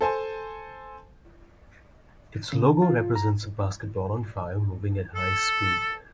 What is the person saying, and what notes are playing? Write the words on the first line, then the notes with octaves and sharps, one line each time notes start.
Its logo represents a basketball on fire moving at high speed.
A4 C5 G#5 A5
C#3
F4
A#5
A4